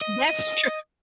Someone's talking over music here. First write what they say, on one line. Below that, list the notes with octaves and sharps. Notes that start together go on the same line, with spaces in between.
that's true,
D#5